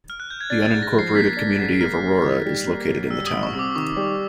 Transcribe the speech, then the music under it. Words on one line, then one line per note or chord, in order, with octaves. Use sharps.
The unincorporated community of Aurora is located in the town.
F6
F#6
G6
G#6
D4 A6
A6
G#2
A#6
F3
C7
A#3 B6
D4
G#2
A#3 F6
F#2
D#3
G3
A#3
F#2
G3 E6
D#6
C2
C#6
C3
D6
D#3 C#6
G3